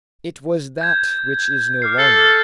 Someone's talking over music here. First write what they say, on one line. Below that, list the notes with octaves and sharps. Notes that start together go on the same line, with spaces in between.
It was that which is no longer.
G6 G#6
D6 F6 C7
A4 C7